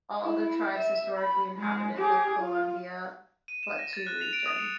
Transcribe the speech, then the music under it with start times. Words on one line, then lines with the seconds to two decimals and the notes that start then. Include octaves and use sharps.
All the tribes historically inhabited the Columbia Plateau region.
0.21 E4
0.76 E5
1.17 B5
1.57 G#3
1.97 G4 G#4
2.39 F4
3.48 D#7
3.63 E7
3.79 A#6
3.93 A6
4.07 F#6
4.21 F7
4.33 D7
4.46 D#6
4.59 C#7